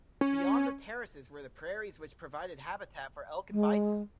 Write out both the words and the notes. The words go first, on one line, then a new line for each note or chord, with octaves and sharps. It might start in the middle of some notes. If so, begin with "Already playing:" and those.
Beyond the terraces were the prairies which provided habitat for elk and bison.
C#4
G#3